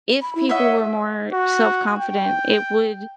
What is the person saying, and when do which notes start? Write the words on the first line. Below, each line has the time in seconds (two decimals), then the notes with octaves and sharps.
if people were more self-confident, it would
0.22 B5
0.35 E4
0.49 C#5 D#5 E5 F#5
1.33 F#4
1.99 G5